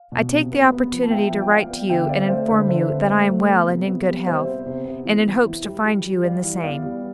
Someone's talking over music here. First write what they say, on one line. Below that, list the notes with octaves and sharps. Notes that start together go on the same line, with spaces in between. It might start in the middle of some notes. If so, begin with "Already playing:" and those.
'I take the opportunity to write to you and inform you that I am well and in good health, and in hopes to find you in the same.
Already playing: F5
B2
C3
B3
B3
F3
A5
B3 E5 G5
F3
G5
B3 D5 F5
B3
D3 E5 G5
C4 D5 F5
A3 C5 E5
D3 B4 D5
D3 C5 E5
C4
A3
A3
B3
C3
B3
G3
C3 C5 E5
B3
C3
B3
E3
E3
E3
G3
G3
G3
G3 D5 F5
E3
B3 D5 F5
G3